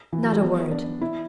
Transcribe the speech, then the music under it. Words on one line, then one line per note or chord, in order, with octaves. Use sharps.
"Not a word."
E3
F#3
G3
B3
D4
E4